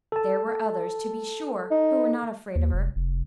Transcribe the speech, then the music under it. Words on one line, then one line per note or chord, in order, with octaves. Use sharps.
There were others, to be sure, who were not afraid of her.
A4 A5
D#4
D#2
F1
F1